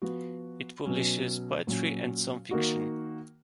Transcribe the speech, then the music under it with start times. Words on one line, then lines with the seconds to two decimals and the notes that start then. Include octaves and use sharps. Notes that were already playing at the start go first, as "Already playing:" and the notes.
It publishes poetry and some fiction.
0.02 F3 B3 F#4
0.85 B2 F#3 C#4
1.67 A#2 F#3 C#4
2.51 D#3 A#3 D#4 F#4